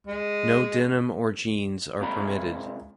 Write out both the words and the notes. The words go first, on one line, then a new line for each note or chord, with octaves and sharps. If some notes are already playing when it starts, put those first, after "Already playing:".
No denim or jeans are permitted.
G#3
C3 G#3 F4 A#5 B5